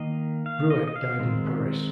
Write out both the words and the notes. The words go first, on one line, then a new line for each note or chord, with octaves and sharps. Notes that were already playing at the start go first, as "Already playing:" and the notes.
Ruwet died in Paris.
Already playing: D#3 A#3 D#5
F5
D#5
D#5
F5
D#3 G#3 C4